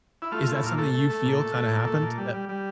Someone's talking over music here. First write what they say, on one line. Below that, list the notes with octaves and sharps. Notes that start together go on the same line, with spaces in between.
Is that something you feel kinda happened? Eh
E4
A3 F4
F4
A3
E4
A#2 F4
A3 A4
A3
A3
A#2
A3
A3
A#2
A3
A#2
G3
G3
G3